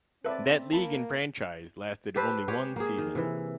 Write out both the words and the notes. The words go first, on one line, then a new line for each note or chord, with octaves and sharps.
That league and franchise lasted only one season.
C4 A4 B4 D5 E5
A#3 A5 B5
G4 A4 B4 C5
G#3 G4 C#5
A#3 G#4
D#3
C3 E3